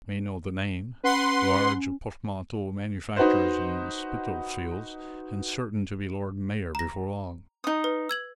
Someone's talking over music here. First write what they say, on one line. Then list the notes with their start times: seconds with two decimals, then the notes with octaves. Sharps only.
You may know the name--large portmanteau manufacturers in Spitalfields and certain to be Lord Mayor before long.
1.03 C#4 B4 F#5 C6
3.16 D#4 F#4 B4 C5
6.75 A#5 A#6
7.64 D#4 D#6
7.84 B4
8.09 E6 G#6 F#7